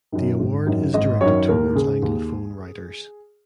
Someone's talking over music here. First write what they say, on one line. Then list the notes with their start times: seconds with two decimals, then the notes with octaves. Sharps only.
The Award is directed towards Anglophone writers.
0.12 F#2 D#3
0.39 G#1
0.67 F#2 D#3
0.94 G#1 D#5
1.21 F#2 D#3 C#5
1.48 D#2 A#4
1.75 C#3 G#4
2.02 D#2